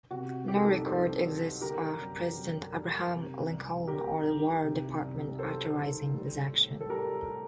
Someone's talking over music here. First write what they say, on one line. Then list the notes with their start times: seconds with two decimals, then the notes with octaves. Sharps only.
No record exists of President Abraham Lincoln or the War Department authorizing this action.
0.10 C3 F#4
0.48 C2 G4
0.56 A4
0.65 D#4 G4
0.86 C2 A4 C5
1.24 F#3
1.61 D3 G4 A#4
1.99 F#2
2.37 F#2
2.75 G3
3.12 C3
3.50 C2
3.87 F#3 G4 A#4
4.26 D#3
4.63 C3
5.01 C2
5.39 F#3 A4 C5
5.76 D#3
6.14 G3
6.52 A2
6.81 A4
6.90 G3 G4 A#4
7.28 A2